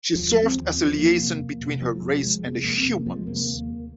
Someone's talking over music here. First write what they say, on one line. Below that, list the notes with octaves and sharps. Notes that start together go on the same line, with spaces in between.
She served as a liaison between her race and the humans.
D#2 F3
G#3
C4
D#2
F3
F3
F2 A#3
C3
F2
C3
F2 F3
C3 F3
F2 G#3
C3
F2 A#3
C4
C3
A#3
F2 F3
G#3
C3 A#3
A#3
D#2